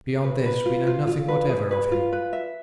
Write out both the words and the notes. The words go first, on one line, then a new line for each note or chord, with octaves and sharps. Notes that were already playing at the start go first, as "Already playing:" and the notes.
Beyond this we know nothing whatever of him.
B4
B4
F4
F4
F4
B4
G#4
B4
F4
B4
E5